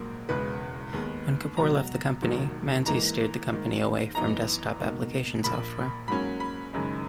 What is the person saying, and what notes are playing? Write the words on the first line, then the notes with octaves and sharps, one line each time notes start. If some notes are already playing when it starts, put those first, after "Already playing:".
When Kapor left the company, Manzi steered the company away from desktop application software.
Already playing: A#1 G#2 F#3 A#3
E1 E2 C#3 G#3 B4
D#2 D#3 G#3 B3
C#2 B2 F#3 A#5
E1 D#2 D#3 F#3
G#2 E3 A#3 D#4 A#5
G#2 D#3 A#3
F#2 E3 B3 D#4 A#5
C#2 B2 A#3 D#4
A#1 A#2 A#3 B5
G#2 F#3 A#3 C#4 B5
B5
F#1 F#2 D#3 G#3 C#4